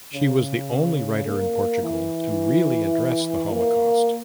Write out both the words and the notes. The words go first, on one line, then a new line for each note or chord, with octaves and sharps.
She was the only writer in Portugal to really address the Holocaust.
C#3
A#3
E3
A#3